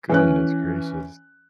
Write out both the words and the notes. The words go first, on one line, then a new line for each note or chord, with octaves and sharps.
Goodness gracious.
E3 C#4 F#6